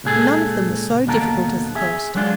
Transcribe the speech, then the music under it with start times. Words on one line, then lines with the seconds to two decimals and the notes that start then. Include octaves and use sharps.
None of them was so difficult as the first.
0.04 C#2 A#2 G#4 A4
1.07 D#2 B2 D3 A#3 A5 A#5
1.75 G#4 E5
2.15 F#3 G#3 B3 D4 F4